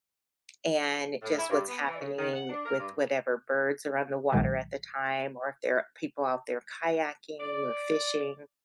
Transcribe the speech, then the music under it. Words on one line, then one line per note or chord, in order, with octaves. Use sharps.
and just what's happening with whatever birds are on the water at the time, or if there are people out there kayaking or fishing.
A2
E4
G2
B3
E3
C#3
D#3
F#5
D4
A#4
G2
B1 A#2 D#3 F#3 G#3
D5